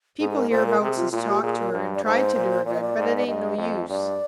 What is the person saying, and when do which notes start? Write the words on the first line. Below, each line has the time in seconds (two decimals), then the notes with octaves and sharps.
People hereabouts has talked to her and tried to do her good, but it ain't no use.
0.20 G#2 G#4
0.31 G#4
0.36 A#4
0.50 A#2 C5
0.66 A#4
0.81 C3 G#4
0.97 F4
1.12 A#2 F4
1.24 F4
1.28 G4
1.43 A#2 G#4
1.59 A#4
1.74 G2
1.95 D5
2.04 G#2 C5
2.35 A#2
2.65 A#2 D5
2.74 D#5
2.81 D5
2.97 G#2
3.17 D5
3.27 G2 D#5
3.58 F2
3.89 G2 D5